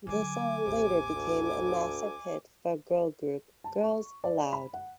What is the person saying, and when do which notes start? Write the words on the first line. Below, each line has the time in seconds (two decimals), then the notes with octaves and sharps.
The song later became a massive hit for girl group Girls Aloud.
0.07 D3 F#3 G#5 D6
0.66 A1 D#2 C3
1.15 D2
3.64 A5
3.83 C#6
4.24 D5
4.53 B5
4.74 F#5